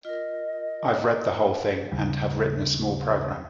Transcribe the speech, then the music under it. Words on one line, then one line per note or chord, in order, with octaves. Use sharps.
I've read the whole thing and have written a small program.
F4 A#4 D#5
D#2 C#3 G3